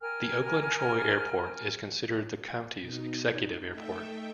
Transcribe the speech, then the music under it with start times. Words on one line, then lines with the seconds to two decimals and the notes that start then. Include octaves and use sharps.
The Oakland-Troy Airport is considered the County's 'executive' airport.
0.01 A#4 G5 G#5 F6
2.78 B2 D#4
3.69 A3 D#4 A4 E5 G5